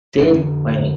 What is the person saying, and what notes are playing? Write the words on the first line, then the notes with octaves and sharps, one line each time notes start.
this way
F2 D3 D4
C#4